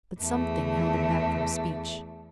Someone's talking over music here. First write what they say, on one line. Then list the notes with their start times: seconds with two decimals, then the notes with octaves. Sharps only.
But something held him back from speech.
0.20 E2 A3